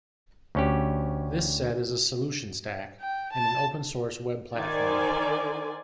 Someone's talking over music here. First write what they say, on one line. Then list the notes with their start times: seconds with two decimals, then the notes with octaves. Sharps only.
This set is a solution stack, and an open source web platform.
0.55 D2 C#4 G4
3.00 G5
3.33 A5
4.56 D#3 C5 D5 G#5